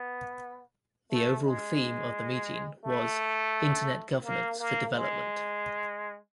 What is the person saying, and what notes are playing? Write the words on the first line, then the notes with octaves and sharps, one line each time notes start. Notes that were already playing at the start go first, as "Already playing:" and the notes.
The overall theme for the meeting was: "Internet Governance for Development".
Already playing: B3
A3
G#3
A3
A#3
A#3
G#3